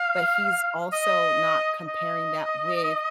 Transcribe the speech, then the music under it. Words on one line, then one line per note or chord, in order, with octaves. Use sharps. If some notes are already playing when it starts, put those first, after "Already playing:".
but he's also not comparing that with
Already playing: F5
D#5
D#5